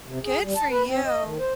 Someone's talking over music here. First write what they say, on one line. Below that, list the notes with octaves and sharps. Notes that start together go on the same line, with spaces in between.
Good for you.
C3
G#4
G3
A5
B4
C4
D#5
D#3
C5